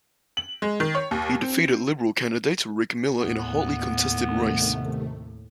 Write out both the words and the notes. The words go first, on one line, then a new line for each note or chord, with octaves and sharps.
He defeated Liberal candidate Rick Miller in a hotly contested race.
F#7
G#3
D#3
C#5
D#2
C4
D#2 A2 B3 F#6
C3 D#3 A3